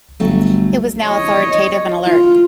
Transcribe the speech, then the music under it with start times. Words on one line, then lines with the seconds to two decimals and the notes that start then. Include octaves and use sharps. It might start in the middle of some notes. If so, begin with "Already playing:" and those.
It was now authoritative and alert..
0.20 G1 F#3 A3
1.06 C#5 D#5
2.05 F4